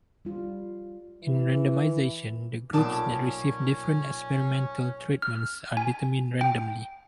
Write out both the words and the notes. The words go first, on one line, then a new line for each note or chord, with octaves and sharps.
In randomization, the groups that receive different experimental treatments are determined randomly.
G3 F4
E3
B1 A#2 C#4 D5 A5 D#6
F6
G#5
G5